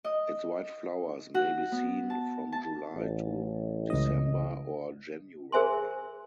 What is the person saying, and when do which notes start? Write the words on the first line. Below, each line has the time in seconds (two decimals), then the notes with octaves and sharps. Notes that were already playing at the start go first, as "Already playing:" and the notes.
Its white flowers may be seen from July to December or January.
0.05 D#5
1.34 F#4
1.72 B3
2.10 A5
2.52 A5
2.95 A1
3.90 C#2 D#5
5.52 G#4 A#4 C5 E5 G#5 C6